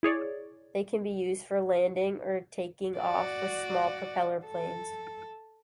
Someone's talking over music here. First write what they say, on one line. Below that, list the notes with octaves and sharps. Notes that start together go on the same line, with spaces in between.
They can be used for landing or taking off with small propeller planes.
E4 G#4 C#5 D5
F#4 D5
A4